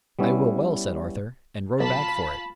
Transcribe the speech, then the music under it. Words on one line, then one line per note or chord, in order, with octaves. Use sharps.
"I will well," said Arthur, and rode back for it.
G3 B3 C#4 E4
B1 F4 A5 B5 B6